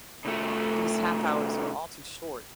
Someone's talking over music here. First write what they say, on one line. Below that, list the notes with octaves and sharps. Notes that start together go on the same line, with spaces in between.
These half hours are all too short.
C2 A3